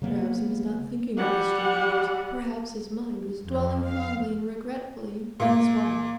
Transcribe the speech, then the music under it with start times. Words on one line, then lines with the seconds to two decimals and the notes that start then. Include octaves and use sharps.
Perhaps he was not thinking of the strangers; perhaps his mind was dwelling fondly and regretfully on his wife?
0.02 C#3 F#3 A#3 B3
1.18 G3 F#5
3.43 F2
3.81 F5
5.40 A#2 A#3